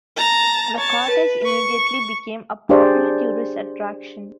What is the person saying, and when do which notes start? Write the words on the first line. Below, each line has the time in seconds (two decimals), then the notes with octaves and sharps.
The cottage immediately became a popular tourist attraction.
0.17 A5 A#5
0.77 C#5 A5
1.10 B4
1.46 C#6
2.69 D4 G4 G#4 C5 D5